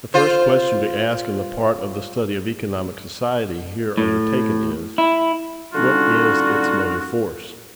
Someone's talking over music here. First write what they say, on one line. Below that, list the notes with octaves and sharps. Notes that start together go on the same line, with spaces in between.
The first question to ask in the part of the study of economic society here undertaken is: What is its motive force?
F4 C5
A2
E4
D3 G3 C#4 D#4 F4 F#4